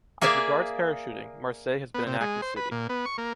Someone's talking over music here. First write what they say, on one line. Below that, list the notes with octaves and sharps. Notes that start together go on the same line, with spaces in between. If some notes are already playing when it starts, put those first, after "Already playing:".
As regards parachuting, Marseille has been an active city.
A#3 G#4 D5 E5 F5
B3
C3
G#3
C5
B4
A#2
B3
C#6
A#3